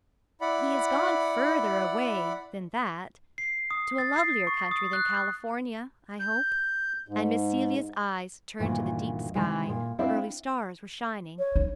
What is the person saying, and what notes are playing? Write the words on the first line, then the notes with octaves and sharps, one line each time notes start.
"He has gone further away than that, to a lovelier country than California, I hope." And Miss Celia's eyes turned to the deep sky, where early stars were shining.
E4 D5 F#5 B5
C7
D#6
A6
C7
C#6
D#6
F#6
G6
G#2
D2 G2 A#2 D#3 E3
C3 D#3 E3 G#3
A#2
C4 D4 E4 C5 F5
C#5
D#4